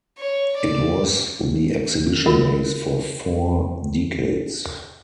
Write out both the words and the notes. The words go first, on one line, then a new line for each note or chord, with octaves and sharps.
It was the exhibition base for four decades.
C#5
D5
F4 F#4 A#4 E5